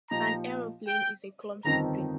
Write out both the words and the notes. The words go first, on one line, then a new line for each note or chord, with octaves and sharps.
An aeroplane is a clumsy thing.
A#2 F3 D#4 G4 A#5
G5
G1 F2 D#3 C4 D#4 A#5